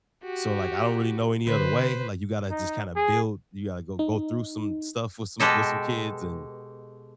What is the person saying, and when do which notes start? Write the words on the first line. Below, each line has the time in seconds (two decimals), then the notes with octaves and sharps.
so like, I don't really know any other way, like you gotta, just kind of build you gotta go go through some stuff, with some with some kids and
0.23 F#4 G4
1.47 D3 B4 C5
2.50 D#4
2.96 G#4
3.99 D#4
5.40 B2 G#3 G4 A4 D#5